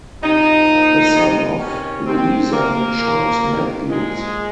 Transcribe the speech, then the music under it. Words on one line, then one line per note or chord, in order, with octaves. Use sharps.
The son of Louisa and Charles Matthews.
C3 F3 D#4
A#2 F3
C3 F3
C3 D#3 C#4
C3 D#3 C4
C3 F3 A#3
A#2 F3
C3 D#3
A#2 F3 G#3